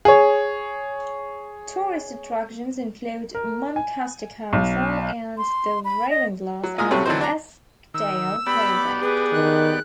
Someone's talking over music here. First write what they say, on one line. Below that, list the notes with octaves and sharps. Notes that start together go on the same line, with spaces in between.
Tourist attractions include Muncaster Castle and the Ravenglass and Eskdale Railway.
G#4 C#5
A#4
G#5
B1
C6
B5
D#5
F#3
A#2 G#3 G#5 A#5 D#6 F6
A2 C3 F#3 A3 C4 C#4
D3 E3 F#3 C4 D#4 C5
D4 A#5
D#3 E6
B3 G4 D5 B5
G#4 B4
D#3 F#6